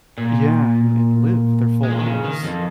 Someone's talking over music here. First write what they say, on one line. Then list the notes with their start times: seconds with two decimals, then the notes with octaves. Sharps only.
Yeah, and and live their full lives.
0.18 A#2
1.83 G#3
1.91 F3
1.99 D#3
2.06 C#3
2.25 D#3
2.43 F2